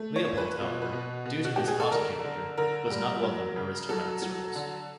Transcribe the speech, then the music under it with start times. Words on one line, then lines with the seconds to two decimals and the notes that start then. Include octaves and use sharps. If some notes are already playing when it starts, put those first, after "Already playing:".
Leopold, however, due to his "haughty" character, was not welcome in aristocratic circles.
Already playing: A3
0.16 C#5
0.27 A#2
0.37 B4
0.60 B2
0.82 B4
0.93 B2
1.25 B2
1.45 F#4
1.56 B2 G4
1.68 G#4
1.80 A4
1.91 D3 A#4
2.24 D3
2.57 D3 A#4
2.90 G3
3.23 F#3
3.56 C#3
3.89 F#3 A4
4.22 F#3
4.55 D3